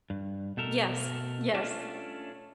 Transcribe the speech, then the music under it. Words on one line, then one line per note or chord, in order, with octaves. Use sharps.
Yes, yes.
G2
B2 A3 A4 A#4
A3 C#4 D4 F4